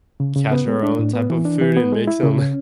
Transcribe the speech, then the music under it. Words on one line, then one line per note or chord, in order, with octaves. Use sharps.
catch our own type of food, and make some
C#3
C#3
B3
G#3
D4
A2
B3
E3
D4
E3
B3
G#3
E4
C#3
C#4